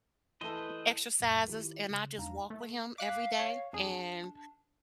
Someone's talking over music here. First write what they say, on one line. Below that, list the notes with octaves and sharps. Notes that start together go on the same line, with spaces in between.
exercises and I just walk with him every day and
E3 A3 A4 B4 C5 D#5
C2 F#2 A#2 F#3
D#3 E4 F4 G4 A#4
C#3
E2 G#3 D4 D#4 F5 A#5
A3
F5 D6 F#6 B6
C#5
F2 D4 G#4